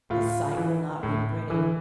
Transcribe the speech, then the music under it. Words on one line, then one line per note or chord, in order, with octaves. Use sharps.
The sight will not be pretty.
A2 F4
E3
A2
E3